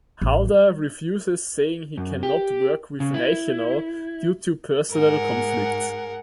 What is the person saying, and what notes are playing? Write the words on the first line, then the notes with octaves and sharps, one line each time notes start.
Halder refuses saying he cannot work with Reichenau due to personal conflicts.
A1
G3
F#2
G4
C#3
E4
G#2 G#4 A#4 F#5